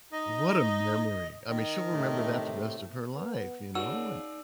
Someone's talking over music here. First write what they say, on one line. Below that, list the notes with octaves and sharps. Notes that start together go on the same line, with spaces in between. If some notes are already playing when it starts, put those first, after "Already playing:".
What a memory. I mean, she'll remember that the rest of her life, you know, and
D#4 D#5
D#3
A2 C3 A3
B3
C#3 D#4 F#4 D5 E6